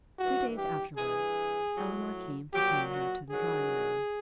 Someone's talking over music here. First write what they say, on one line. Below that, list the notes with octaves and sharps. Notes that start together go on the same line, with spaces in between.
Two days afterwards, Elinor came to summon her to the drawing-room.
G2 E3 F#4
G4
G2 E3 G#4
A2 F#3
A#2 F#3 G4
F#4
G2 D#3 F#3 G#4